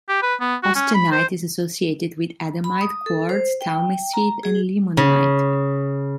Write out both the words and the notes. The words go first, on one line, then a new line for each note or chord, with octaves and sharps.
Austinite is associated with adamite, quartz, talmessite and limonite.
G4
B4
B3
F#4
C#4
B5
C5
B5
D#6
A4
C5
G5
A#5
G#4
C#3